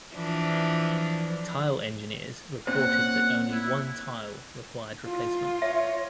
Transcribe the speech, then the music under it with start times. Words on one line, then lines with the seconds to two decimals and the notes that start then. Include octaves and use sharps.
Tile engineers reported that only one tile required replacement.
0.15 E3 F3 D4
2.67 A#2 C4 C#4 F#5
3.52 E4
5.06 F4
5.62 C#5 E5